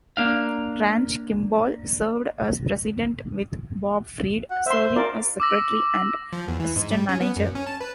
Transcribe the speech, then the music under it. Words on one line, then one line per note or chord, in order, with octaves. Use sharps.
Ranch Kimball served as President with Bob Freed serving as Secretary and Assistant Manager.
A#3 D4 F5
F#5
C5 E5 C6
F4 A#4 D5
D6 E6 A#6
F3
E2
E3
G#2
G3
C#4
B3
F#2
C#4
A5
B4